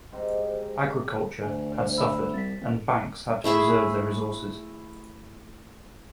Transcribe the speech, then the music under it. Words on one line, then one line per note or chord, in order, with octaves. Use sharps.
Agriculture had suffered and banks had to reserve their resources.
G#2 C4 D#4 G4
D2 G#5
C5
E5 B5 E6
C2 A6 B6
A1
A3 E4 G#4 E5